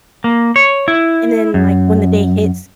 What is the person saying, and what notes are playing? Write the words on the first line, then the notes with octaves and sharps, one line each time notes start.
and then, like, when the day hits
A#3
C#5
E4
F#2